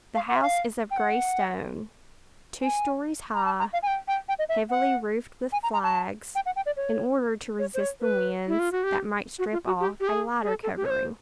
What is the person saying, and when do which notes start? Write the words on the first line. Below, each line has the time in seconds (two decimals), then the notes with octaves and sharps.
The house is of grey stone, two stories high, heavily roofed with flags, in order to resist the winds that might strip off a lighter covering.
0.15 F5
0.28 F#5
0.36 E5
0.42 F5
0.91 G5
0.97 F#5
2.63 G#5
3.34 A#5
3.45 A5
3.59 A#5
3.73 F5
3.83 G#5
3.87 G5
4.08 G5
4.29 G5
4.39 D#5
4.49 E5
4.70 F#5
5.53 G#5
5.63 A#5
5.73 A#5
5.84 A5
6.35 G5
6.46 F#5
6.56 G5
6.66 D5
6.77 C#5
7.59 C#5
7.74 C5
7.80 C#5
8.01 B4
8.48 E4
8.59 F4
8.72 F#4
8.84 G4
9.39 F#4
9.52 F4
9.66 F#4
9.80 G4
10.00 G4
10.08 G#4
10.42 G#4
10.49 A4
10.63 A4
10.77 G4
10.85 C#5
10.90 C5